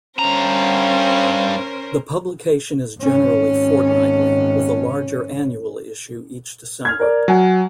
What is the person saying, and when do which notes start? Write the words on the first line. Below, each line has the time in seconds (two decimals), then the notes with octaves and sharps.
The publication is generally fortnightly, with a larger annual issue each December.
0.19 G2 C#4 A#4 C5 A#5
2.99 G#1 C#4
6.85 F6 G#6
7.00 A#4 D5
7.28 F#3 F#5 G#5